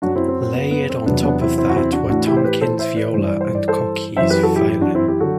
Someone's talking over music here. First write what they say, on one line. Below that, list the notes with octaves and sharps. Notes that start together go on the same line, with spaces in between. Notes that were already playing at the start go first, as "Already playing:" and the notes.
Layered on top of that were Tompkins' viola and Cockey's violin.
F#2 F#3 D4 F#4
C4 E4
C4
C4
B3
B3
C4
E2 C3 F#3 B3 D4
B3 D4
C4 E4
C4 E4
F#4
C4 E4
D4 F#4
A2 E3 D4 F#4
E4 G4
C5
G4 B4
A4 C5
C5 E5
B4 D5
G2 E3 C5
D5
C5
D5
A4 C5
F#2 E3 C5 E5
G4 B4
F#4 A4
E4 G4
E4 G4
D4 F#4
C4 E4
E4 G4
D3 F#3 F#4 A4